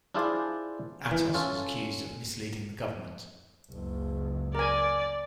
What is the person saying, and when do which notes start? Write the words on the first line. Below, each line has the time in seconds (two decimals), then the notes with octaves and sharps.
Atos was accused of misleading the government.
0.14 D4 E4 F4 G#4 C5 D5
1.11 E3
1.34 C#4 F4 A4
3.70 F#1 C#2
4.55 A#4 D5 G#5